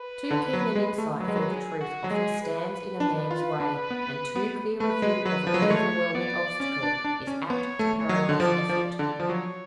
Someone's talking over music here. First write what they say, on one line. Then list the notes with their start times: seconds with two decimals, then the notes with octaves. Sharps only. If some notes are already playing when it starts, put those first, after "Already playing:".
Too keen an insight for the truth often stands in a man's way, and too clear a view of an overwhelming obstacle is apt to paralyze effort.
Already playing: B4
0.31 D3
0.53 F#3
0.75 G#3
0.98 A3
1.20 F#3 B4
1.28 G#3
1.36 F#3
1.51 G#4
1.81 F#4
2.04 F#3
2.11 G#3 G#4
2.41 B4
2.70 B4
3.00 D4
3.31 F4
3.60 D4
3.90 B3
4.36 B3
4.80 A3 B4
5.02 G#3
5.25 F#3 B4
5.47 F3
5.54 F#3
5.62 G#3
5.70 A3 C#5
6.15 B3 D5
6.60 C#4
6.83 D4
7.04 D4
7.27 C#4
7.50 B3 C#5
7.79 A3
7.95 C#5
8.09 F#3
8.29 D3
8.40 F3 D5
8.69 F3
8.84 D5
8.99 D3
9.20 F3
9.29 F#3 C#5